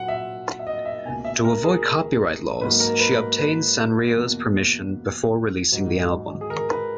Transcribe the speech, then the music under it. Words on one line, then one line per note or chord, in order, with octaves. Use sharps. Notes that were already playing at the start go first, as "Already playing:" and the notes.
To avoid copyright laws, she obtained Sanrio's permission before releasing the album.
Already playing: A#2 F#3 A#3 F#5
E5
E5
D#5
E5
C#2 B2 A#3 G#5
E5
A#4
G#4
G#2 F#3 A#3 B4
A#4
B4
B4
E2 B2 A#3
G#2 F#3 B3
G#4
A#4
B4